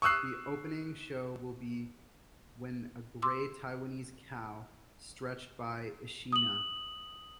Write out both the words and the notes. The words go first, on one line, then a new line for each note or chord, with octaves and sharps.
The opening show will be When a Gray Taiwanese Cow Stretched, by Ishinha.
C#6 D#6 E6 F#6 C7
C6 D6 E6
D#6 F#7